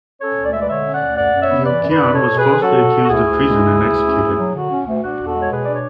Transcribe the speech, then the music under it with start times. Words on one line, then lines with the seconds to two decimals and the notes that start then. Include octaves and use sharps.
Yu Qian was falsely accused of treason and executed.
0.21 C#4 A4 C#5
0.37 D2
0.44 D5
0.52 G#3 E5
0.60 B4 D5
0.69 D3 C#5 E5
0.85 C#4
0.94 D5 F#5
1.02 D2
1.17 F#2 D5 F#5
1.33 F#2
1.41 C#5 E5
1.50 B3
1.65 E3 B4 D5
1.82 F#2
1.90 B4 D5
1.97 F#2
2.13 B2 A4 C#5
2.30 B2
2.37 G#4 B4
2.45 C#4
2.52 B4
2.61 F#3 F#4 A4
2.77 B2
2.94 B2
3.04 F#4
3.09 D2 E4 G#4
3.25 D2
3.42 G#3
3.58 C#3
3.74 D2
3.90 D2
4.06 C#4
4.22 D2
4.38 F#3
4.54 D3 F#4
4.69 C#4
4.86 D2
5.02 D4 F#4
5.18 E2
5.26 F#4 A4
5.33 G#3
5.42 C#5
5.50 B2 G#4 B4
5.64 D4 D5
5.73 C#5